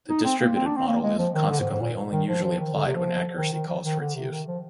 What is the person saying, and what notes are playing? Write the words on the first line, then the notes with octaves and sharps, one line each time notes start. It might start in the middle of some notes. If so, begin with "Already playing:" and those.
The distributed model is consequently only usually applied when accuracy calls for its use.
D#4
C4
A#3
C4
D4
C4
A#3
G#3
F3
D#3
D3
G#2
G#2
A#2
D#3
F3
F3
D#3
D3
C3
F3
D#3
D#3
F3
D#3
D3
C3
D#3
F3